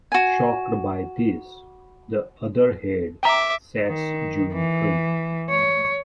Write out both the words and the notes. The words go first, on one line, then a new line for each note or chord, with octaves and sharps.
Shocked by this, the other head sets June free.
F#4 G#5
E5 G5 A#5 D6
D#3
E3
C#5